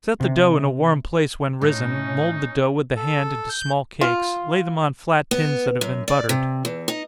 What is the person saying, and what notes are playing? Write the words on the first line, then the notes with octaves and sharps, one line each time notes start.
Set the dough in a warm place when risen, mould the dough with the hand into small cakes, lay them on flat tins that have been buttered.
C3
A2 C#4 D#4
A4
G6
F4
B3
F#2
D5
C3
E2
D#4